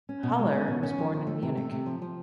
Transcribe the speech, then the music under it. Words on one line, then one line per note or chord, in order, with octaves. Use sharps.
Haller was born in Munich.
C#4
B2
G#3
C#4
B2
C#4
F3
F3
A3
C3
A3
C3
F3
F3